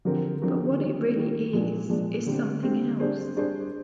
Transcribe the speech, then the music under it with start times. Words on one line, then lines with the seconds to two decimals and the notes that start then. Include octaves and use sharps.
But what it really is is something else.
0.05 D3 F3 C4 G4 A#4
0.41 D3 F3 C4 G4 A#4
0.78 D#3 G3 A#3
1.16 D#3 G3 A#3
1.53 A#2 F3 G#3 D4
1.89 A#2 F3 G#3 D4
2.26 D3 G3 C4
2.63 D3 G3 C4
3.00 G3 D4 G#4 C5
3.37 G3 D4 G#4 C5